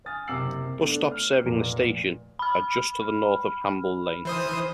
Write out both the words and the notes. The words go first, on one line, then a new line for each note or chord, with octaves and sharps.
Bus stops serving the station are just to the north on Hamble Lane.
G#5 D#6 F6 A6
F#1 C3 D6 E6 C7 F#7
A3 B3 D4
F6
F1 A#2 A#5
B5 F6
E3 C5 D#6